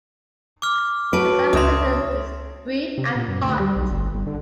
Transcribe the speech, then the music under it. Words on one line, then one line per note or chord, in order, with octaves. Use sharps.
The summer season is brief and hot.
D6 F6
F#3 B4 A5 D7
C#2 C#5 E5 C6 D#6
C3
A#2
F#2
D2
G3
B1
G1
G1
D3